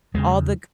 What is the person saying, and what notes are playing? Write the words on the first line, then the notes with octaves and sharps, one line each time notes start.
all the g
E2 C#3 G#3